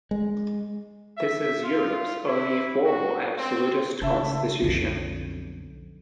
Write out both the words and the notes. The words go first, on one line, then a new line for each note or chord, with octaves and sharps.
This is Europe's only formal absolutist constitution.
G#3
E5
F4
E4
F#4
C4
C#3 E5 A5
B1 F2 D3 C#4